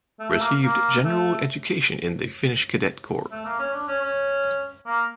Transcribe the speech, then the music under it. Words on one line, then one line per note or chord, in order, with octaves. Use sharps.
Received general education in the Finnish Cadet Corps.
A3
A3
A#3
A#3
A3
A3
A#3
C#4
D4
C#4
C#4
A#3